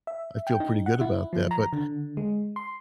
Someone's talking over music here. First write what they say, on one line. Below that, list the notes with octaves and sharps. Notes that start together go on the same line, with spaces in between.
I feel pretty good about that, but
E5
G5
D#4
F#5
E4
F3
A#5
D3
G#3
C6